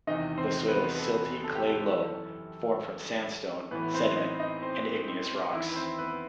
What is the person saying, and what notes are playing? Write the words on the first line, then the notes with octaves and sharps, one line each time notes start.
The soil is silty, clay loam formed from sandstone, sediment, and igneous rocks.
E2 C3 D#3 D#4 D#5
C4 C5
B3 B4
A4
A4
G4
A4
F#2 E3 A4
A2 E3 B3 B4
C4 C5
D#4 D#5
D#4 D#5
C4 C5
C4 C5
C5
D#5
E2 D#3 E4 E5
B4
C4 C5
B3 B4